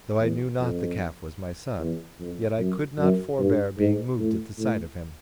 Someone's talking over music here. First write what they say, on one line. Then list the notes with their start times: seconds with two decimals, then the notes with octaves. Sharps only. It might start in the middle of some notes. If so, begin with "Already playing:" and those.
Though I knew not the calf was my son, yet I could not forbear being moved at the sight of him.
0.20 E2
0.60 F2
1.80 E2
2.20 F2
2.59 F#2
2.99 F#2
3.39 G2
3.79 G#2
4.19 A2
4.59 A2